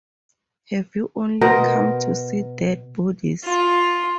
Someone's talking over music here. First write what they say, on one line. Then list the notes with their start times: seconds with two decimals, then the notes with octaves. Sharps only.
Have you only come to see dead bodies?
1.41 B2 A#4 C5
3.44 F4